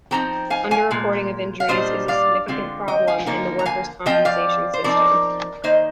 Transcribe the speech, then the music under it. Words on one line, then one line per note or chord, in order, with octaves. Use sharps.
Underreporting of injuries is a significant problem in the workers' compensation system.
F3 C4 D#4 G5 A#5
F5 G#5
F5 G#5
A#2 G#3
F5
A#2 G3 D4 F4 C5 D#5
D5 F5
D3 G#3 C4 F4
D#5 G5
F5 G#5
D3 F3 A#3 D#4
A#5
F5 G#5
F3 C4 F4 D#5 G5
D5 F5
C5
F3 C4 D#4 A#4 D5
D#3 A#3 D#4 C5 D#5